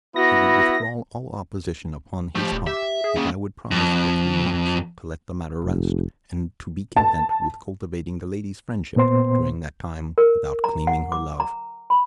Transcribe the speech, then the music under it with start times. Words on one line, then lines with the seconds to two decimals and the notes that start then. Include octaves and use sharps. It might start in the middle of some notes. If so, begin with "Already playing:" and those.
He would withdraw all opposition upon his part if I would promise for three months to let the matter rest and to be content with cultivating the lady's friendship during that time without claiming her love.
0.16 B3 E4 F#4 A#6
2.35 F3 A3 G4
2.52 D#1
2.67 G4 E5
3.04 G#4
3.16 D#2 C#3
3.71 F2
5.64 F1
6.96 A5
8.96 A#2 B3 C5 C6
10.18 A#4
10.64 A#5
10.87 F#5
11.12 D6
11.40 A#5
11.90 B5